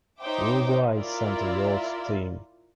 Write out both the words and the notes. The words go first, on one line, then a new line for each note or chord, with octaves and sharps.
Uruguay sent a youth team.
D#4 C5 C#5 E5 G5 D6
E4 F4 A#4 D5 E5